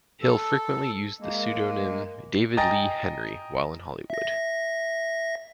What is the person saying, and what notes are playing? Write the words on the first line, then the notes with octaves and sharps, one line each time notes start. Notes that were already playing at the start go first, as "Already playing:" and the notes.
Hill frequently used the pseudonym David Lee Henry while in Hollywood.
A4
G#3 A#3
D#5 G5 G#5 A#5 A6 A#6
E5 A#6